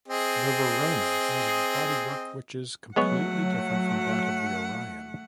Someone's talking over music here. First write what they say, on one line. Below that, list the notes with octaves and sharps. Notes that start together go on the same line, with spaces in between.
The Verona has bodywork which is completely different from that of the Orion.
C4 G#4 D#5
F#3 G#3 A3 B3 C#5 F#5